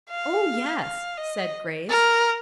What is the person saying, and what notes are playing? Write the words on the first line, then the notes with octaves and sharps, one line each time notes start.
"Oh yes," said Grace.
F5
F5
D#5
A#4